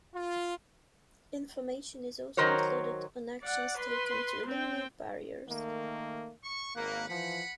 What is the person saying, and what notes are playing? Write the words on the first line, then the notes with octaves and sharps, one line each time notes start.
Information is also included on actions taken to eliminate barriers.
F4
D#3 F#3 A#4 C5 C#5
D5 F#5
B4 C6
C4 G5
D#3 A3 A#3
C#6
G#1 A#3 B4 F#5
E3 F3 F#5 B5